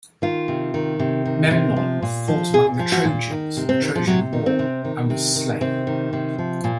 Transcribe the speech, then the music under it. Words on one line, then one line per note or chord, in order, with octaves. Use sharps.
Memnon fought among the Trojans in the Trojan War and was slain.
D#3 F4
C3
D#3
C3
D#3
C3
F3
A#2
F3
A#2 G#4
F3
F#4
A#2
D#3
C3
C4
D#3
F3
C3 F#3
D#3
C4
C3
D#3
C3
D#3
C3 C4
D#3
C3
F3
A#2